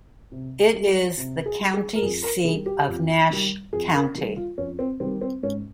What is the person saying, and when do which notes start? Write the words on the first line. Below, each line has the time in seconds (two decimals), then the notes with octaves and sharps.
It is the county seat of Nash County.
0.32 C3
0.74 G3
1.18 C3
1.46 G#4
1.60 G3
1.74 G#4
1.95 A#4
2.02 F2 G#4
2.23 A#4
2.44 D#3 G#4
2.49 G3
2.66 G4
2.88 F2
3.30 D#3 G3
3.73 F2 G#4
3.94 A#4
4.15 D#3 G3
4.36 F4
4.58 F2 C#4
4.79 C4
5.00 D#3 G3 C4
5.21 C4
5.43 G#2 C#4